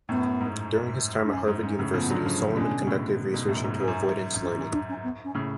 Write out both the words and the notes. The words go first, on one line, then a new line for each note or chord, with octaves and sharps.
During his time at Harvard University, Solomon conducted research into avoidance learning.
F#2 A2 B3
G#2
D4
F#2 C#4
G#2
G#2 C#4
A2 C#3
C#3 F3 B3
D3 F#3
C#3 F3
C#3 F3
B2 D3 C#4
A2 C#3
G#2 B2
F#2 A2
G#2
G#2 C#4
F#2
F#2
C#4
C#4
D4
C#4
B3
C#4
A2 C#3